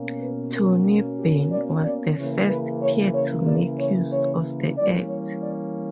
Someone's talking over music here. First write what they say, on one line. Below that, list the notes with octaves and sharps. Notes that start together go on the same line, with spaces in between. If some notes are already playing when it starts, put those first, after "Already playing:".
Tony Benn was the first peer to make use of the Act.
Already playing: B2 A#3 C#4
B4
A#4
F#4
G4
D5
D5
C#3 E3 A#3 C#5
B4
C#5
C#5
D5
C#5
C#5
E3 G3 A#3 C#4 D5
C#5
D5